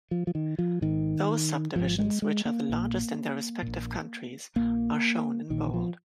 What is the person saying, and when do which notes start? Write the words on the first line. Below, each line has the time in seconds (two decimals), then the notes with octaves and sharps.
Those subdivisions which are the largest in their respective countries are shown in bold.
0.11 F3
0.27 F3
0.35 D#3
0.59 F3
0.81 G#1 G#2 D#3
1.76 G#1 G#2 F3
1.98 G#3
2.22 G#3
2.45 A#3
2.69 A#1 A#2
3.62 A#1 A#2
4.56 A#1 A#2 A#3
5.50 A#1 A#2 D#3
5.74 F3